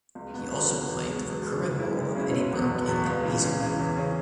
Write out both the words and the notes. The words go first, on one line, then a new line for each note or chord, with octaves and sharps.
He also played the recurring role of Eddy Burke in "Hazel".
C#2
B2 B3
C#2
B2 B3
E2
B2 G#3 B3
E2
B2 G#3 B3
F#2
C#3 G#3 C#4 E4
F#2
C#3 G#3 C#4 E4
F#1
E2 B2 B3
F#1
E2 B2 B3
C#2
C#3 E3
C#2
C#3 E3
E2
C#3 E3 C#4